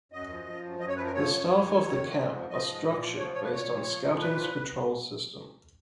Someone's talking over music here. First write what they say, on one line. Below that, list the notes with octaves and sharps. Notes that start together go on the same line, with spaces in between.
The staff of the camp are structured based on Scouting's patrol system.
F#2 D#5
F3
F3
F#2
F#2 D#5
C#5
F3 B4
A#4
F3 C#5
F#2
F2
D#3
D#3
F2
G#2
F3
F3 D#5
G#2
A#2
F3
F3 C#5
A#2 C#5
B4
A#2 C#5
F3
F3
A#2
A#2 B4
F3